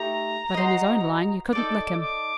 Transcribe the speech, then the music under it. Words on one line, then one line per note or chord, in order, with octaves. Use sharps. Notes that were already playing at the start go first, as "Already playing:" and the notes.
But in his own line you couldn't lick him.
Already playing: A3 D#4 G4 A#5
F#4 C5 D#5
D#4 A4 D5 D6
D6